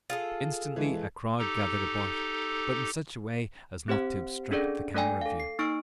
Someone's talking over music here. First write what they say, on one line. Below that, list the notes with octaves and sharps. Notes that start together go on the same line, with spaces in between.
Instantly a crowd gathered about, but in such a way as not to obstruct the camera view.
F4 G#4 A4
E3 G#3
D#4 G4 A4
C4 G4 C5 F#5
C#4 D4 G#4 A4 D5
A3 D4 A4 D5 G5 G#5
A4 F5
C7
A#3 D#4 C#6 F6 D7